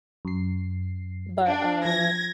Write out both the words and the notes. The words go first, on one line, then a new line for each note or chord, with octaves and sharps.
but, uh,
F#2 C7
D4
F3 G#6 A#6